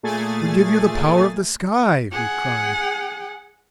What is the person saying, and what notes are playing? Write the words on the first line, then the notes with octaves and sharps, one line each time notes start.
"We give you the power of the sky!" we cried.
A#2 A3 G#4 G#5 A6
G#4 F#5